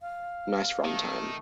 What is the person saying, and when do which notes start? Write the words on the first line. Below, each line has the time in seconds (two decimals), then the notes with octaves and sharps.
Nice runtime.
0.01 F5
0.85 D#3 A3